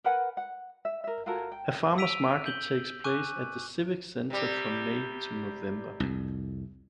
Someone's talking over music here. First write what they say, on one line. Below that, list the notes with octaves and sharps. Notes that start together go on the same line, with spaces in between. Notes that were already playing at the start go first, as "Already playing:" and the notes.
A farmer's market takes place at the Civic Centre from May to November.
A#4 B4 F#5 G#5
F#5
E5
A#4 E5
F4 F#4 A4 A#4
G5
E6 B6 D7 D#7 F7
G6 F#7 G7
G#5 C#6 D6 F#6 D#7
C3 G3
C2 F2